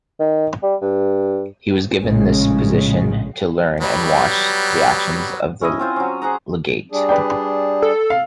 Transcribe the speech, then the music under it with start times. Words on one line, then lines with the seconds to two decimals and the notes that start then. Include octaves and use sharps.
He was given this position to learn and watch the actions of the legate.
0.20 D#3
0.63 G3
0.81 G2
2.00 A#1 A2 C#3 G#3 C#4
3.80 F#3 G3 B3
5.61 C#4 E4 D#5
5.79 C4 F4 C5
5.96 F#3 C#4
6.22 G#4 C5 F#5 A#5
6.92 G3 D4 G#4
7.09 B4 D5 G5
7.82 A4
8.10 F5